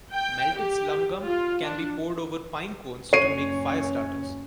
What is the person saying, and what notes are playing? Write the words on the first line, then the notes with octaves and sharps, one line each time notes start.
Melted slumgum can be poured over pine cones to make fire starters.
G5
G4
F4
D4
F#1 C#4 C#5 C7 D#7